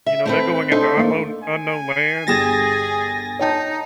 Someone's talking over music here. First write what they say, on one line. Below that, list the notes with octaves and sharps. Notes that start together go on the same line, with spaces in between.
you know, they're going into unknown unknown lands.
E5
A3 C4 B4
D4 D#4 A4 C5
A3 A#3
G#5
G1 G3 G#4 A6 A#6 E7
D#4 C#5 G5 A5